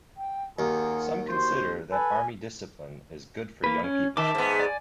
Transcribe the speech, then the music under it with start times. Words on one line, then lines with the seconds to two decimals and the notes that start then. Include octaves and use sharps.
Some consider that army discipline is good for young people.
0.17 G5
0.59 D#2 F4 G#4 A#4 F#5
1.29 F#4 C5 C6
1.92 A4 B4 G#5
3.64 A#3 B4
3.84 C#4
4.17 D#3 E5 A5 D6
4.35 G#2 B3
4.59 D5 G#5